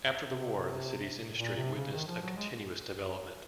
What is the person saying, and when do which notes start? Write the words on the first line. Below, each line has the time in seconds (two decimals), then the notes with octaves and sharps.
After the war, the city's industry witnessed a continuous development.
0.25 C3
1.37 A#2
1.57 C3
1.75 C#3
1.93 D#3
2.07 F3
2.22 F#3
2.36 G#3